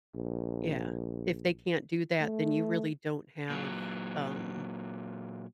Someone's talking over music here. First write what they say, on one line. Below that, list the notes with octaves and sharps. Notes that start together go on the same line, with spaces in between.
Yeah. If they can't do that, then you really don't have, um,
A#1
A3
A#2 F#3